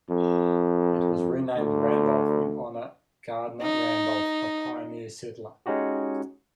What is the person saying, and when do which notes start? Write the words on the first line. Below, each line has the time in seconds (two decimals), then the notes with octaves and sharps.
It was renamed Randolph in honor Gardner Randolph, a pioneer settler.
0.10 F2
1.57 D2
3.62 D#4
5.66 G#3 C#4 D#4 F#4 G4